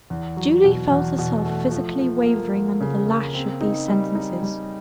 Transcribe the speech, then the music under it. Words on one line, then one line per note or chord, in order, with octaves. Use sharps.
Julie felt herself physically wavering under the lash of these sentences.
E2
F#3
B2
E2
B2
A3
F3
F3
A#3
F3
C#3
A#3
C4
D#4
G3
D#4
G3